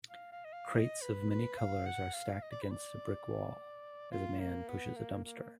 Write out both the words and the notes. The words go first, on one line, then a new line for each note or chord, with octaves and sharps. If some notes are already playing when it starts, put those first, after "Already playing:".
Crates of many colors are stacked against a brick wall, as a man pushes a dumpster.
F5
F5
D#5
F5
D#5
B4
B4
F5
F#5
F5
D#5
D5
B4
D5
F4
A#3
B3
A#3
A#3